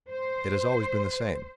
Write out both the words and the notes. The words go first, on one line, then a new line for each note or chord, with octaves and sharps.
It has always been the same.
C5